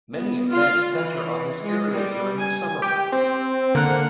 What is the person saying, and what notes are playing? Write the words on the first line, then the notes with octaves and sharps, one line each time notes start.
Many events center on this area during the summer months.
B3
F4
E3
G#3
G3
G#5
G4
C4
D3 A#3 F#5